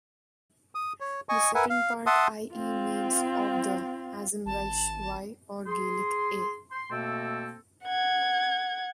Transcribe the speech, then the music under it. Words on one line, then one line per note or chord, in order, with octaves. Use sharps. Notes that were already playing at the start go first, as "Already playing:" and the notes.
The second part "-ie-", means "of the", as in Welsh "y" or Gaelic "a"'.
D#6
C#5
D#5 G#5 C#6
A#4 B4 E5 F#5 G#5
F5
E5 F#5 A5 C6 D#6
C4 F4
G#1 A5
G#4 C6
C6
B2 A3 A#3 C4 A4
F#5 G#6